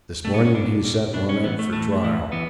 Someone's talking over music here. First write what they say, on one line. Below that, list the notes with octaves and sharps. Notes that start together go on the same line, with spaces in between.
This morning he sent one up for trial.
B2 A3
B3
C#4
B2 D4
B2
B2 D4
C#4
A2 E3 B3
A3
A2 E3 A3
A2 E3
E3 B3